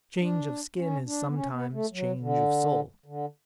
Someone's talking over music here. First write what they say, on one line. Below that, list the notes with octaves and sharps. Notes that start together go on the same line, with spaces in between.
Change of skin is sometimes change of soul.
D4
C#4
D4
B3
C#4
B3
A3
F#3
D3
D3